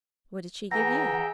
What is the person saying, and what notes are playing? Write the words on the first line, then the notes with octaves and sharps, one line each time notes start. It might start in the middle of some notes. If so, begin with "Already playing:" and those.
'What did she give you?'
E3 G#4 E5 F#5 G5 A#5 A#6